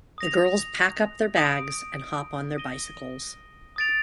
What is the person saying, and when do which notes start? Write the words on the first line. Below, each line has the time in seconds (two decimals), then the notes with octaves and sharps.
The girls pack up their bags and hop on their bicycles.
0.18 D#6 A#6 F7
1.37 D#6 G6 D7
2.56 D#6 A#6 D#7 G7
3.76 D#6 A6 D7 F7